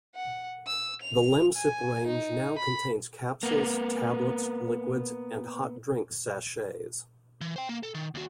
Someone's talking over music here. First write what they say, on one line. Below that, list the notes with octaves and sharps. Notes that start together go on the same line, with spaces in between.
The Lemsip range now contains capsules, tablets, liquids, and hot drink sachets.
F#5
E6
F7
G#5
D#4
B5
A#3 B3
E3
C5 G5
A#3
A4
D#3
D#2 F#4